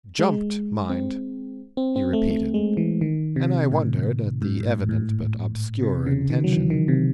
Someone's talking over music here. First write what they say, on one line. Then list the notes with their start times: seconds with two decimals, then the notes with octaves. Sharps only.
"Jumped--mind!" he repeated, and I wondered at the evident but obscure intention.
0.19 G#3
0.90 C4
1.77 C4
1.96 C4
2.13 A3
2.30 A3
2.54 G#3
2.77 E3
3.01 D#3
3.36 C3
3.72 A2
4.42 G#2
4.60 G#2
4.66 A2
4.89 A2
5.83 C3
6.06 C#3
6.30 D#3
6.44 F#3
6.53 E3
6.70 D#3
6.88 C3